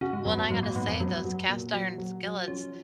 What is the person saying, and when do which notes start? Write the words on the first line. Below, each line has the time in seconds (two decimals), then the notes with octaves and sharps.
Well, and I gotta say those cast-iron skillets,
0.01 C#3 F#4
0.13 G#2
0.25 F#2 B3
0.38 F#2
0.50 G#2 F#3
0.63 A#2
0.75 G#2 B3
0.87 F2
1.00 F#2 F#3
1.25 F#3
1.49 A#2
1.73 F#3
1.98 F#3
2.23 F#3
2.48 F3 C#4